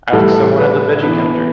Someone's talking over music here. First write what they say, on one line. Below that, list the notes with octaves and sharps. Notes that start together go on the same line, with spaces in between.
Ask someone at the veggie counter.
A2 E3 G3 A4
B4
E3 B3 D4 B4